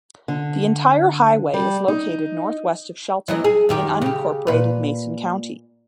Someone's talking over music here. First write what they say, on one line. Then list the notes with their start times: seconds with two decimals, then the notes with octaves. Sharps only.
The entire highway is located northwest of Shelton in unincorporated Mason County.
0.28 D3
1.54 G3
1.88 D#4
3.28 E3 F#3 D#5
3.44 G#4
3.69 F#2 D#3 G4
4.02 C#3 G4
4.47 A#2 B4